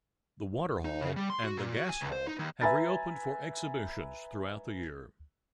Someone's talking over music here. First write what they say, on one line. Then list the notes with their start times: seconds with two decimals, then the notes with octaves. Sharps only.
The Waterhall and the Gas Hall have reopened for exhibitions throughout the year.
0.85 D#4
1.01 C#3
1.16 G3
1.30 C6
1.44 F#4
1.58 A#2
1.76 F#4
1.89 G#5
2.01 C#2
2.12 C5
2.27 D#4
2.39 D#2
2.61 B4 E5 G#5 A#5 B5 A6